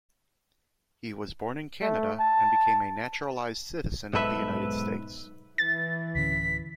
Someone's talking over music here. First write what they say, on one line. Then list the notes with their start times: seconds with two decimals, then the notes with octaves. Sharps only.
He was born in Canada and became a naturalized citizen of the United States.
1.82 A3
2.19 A5
4.13 B1 G#2 A4 B4 E5
5.58 E3 A6
6.15 D1 D3 C#4 B6